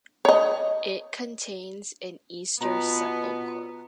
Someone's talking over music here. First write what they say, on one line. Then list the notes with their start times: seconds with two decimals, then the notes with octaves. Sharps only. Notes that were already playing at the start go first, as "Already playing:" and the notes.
It contains an Easter Sepulchre.
0.25 C#5 D#5
2.61 B2 B3 F4 A#5